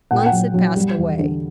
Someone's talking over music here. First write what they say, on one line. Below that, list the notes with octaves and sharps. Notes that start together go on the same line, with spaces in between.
Months had passed away.
A#2 F#5
G5
F#5
F#3
F#3
G3
E2
D3